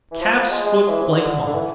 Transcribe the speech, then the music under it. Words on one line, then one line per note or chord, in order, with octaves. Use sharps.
Calf's Foot Blancmange.
E3
F3
F3
G#3
G#3
E3
C3
D3
D3
E3